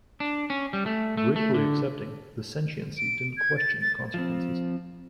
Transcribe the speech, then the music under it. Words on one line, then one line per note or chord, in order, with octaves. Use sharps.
Gratefully accepting, the sentiency didn't question the consequences.
D4
C#4
G3
A3
A3
A3
D3
D7
G#6
A6
A6
F3 C4